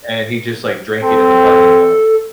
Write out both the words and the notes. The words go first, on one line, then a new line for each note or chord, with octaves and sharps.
and he just, like, drank it in the parking lot.
C4 A4